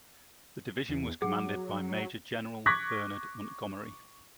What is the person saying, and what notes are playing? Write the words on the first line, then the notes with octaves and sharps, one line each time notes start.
The division was commanded by Major-General Bernard Montgomery.
E2
F#3 G#4 F#5
C#6 D6 F#6 G#6 A#6 B6